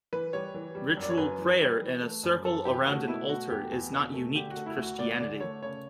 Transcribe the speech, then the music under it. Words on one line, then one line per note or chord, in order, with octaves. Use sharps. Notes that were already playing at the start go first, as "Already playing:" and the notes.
Ritual prayer in a circle around an altar is not unique to Christianity.
E3 B4
G3 C#5
E3
G3
F#2
D5
C#5
F#2 B4
E3
G3
E3
A3
F#2
F#2 A4
E3 G4
A3 F#4
B2 E4
A3 F#4
E2 G4
E2
B2
A3
D3 G4
F#4
A3
E4
D2
F#4
D2 D5
D3 D5
A3 C#5
C#3 C#5